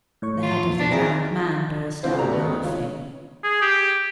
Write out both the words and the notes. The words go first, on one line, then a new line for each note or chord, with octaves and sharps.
The head of the drowned man burst out laughing.
A2 C#5 C#6
F4
F2 A#2
B2 D4 A5 B6
C4 E4 G#4 A#4
D3 E3 C4 F4 C5
B1 A2 F#4 G4 D5 A#5
A3 B3 B4
C#2
F4 C#5
G#4
G4